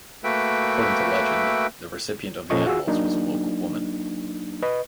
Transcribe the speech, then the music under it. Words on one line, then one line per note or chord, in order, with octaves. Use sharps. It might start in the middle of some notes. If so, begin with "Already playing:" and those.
According to legend, the recipient of the animals was a local woman.
A3 A#3 F#4 B4 E5 G5
A#2 F3 C#4 A4 D#5 C#6
F4 F#4 G#4 E6
F#3 A#3 D4 D#4
B4 D#5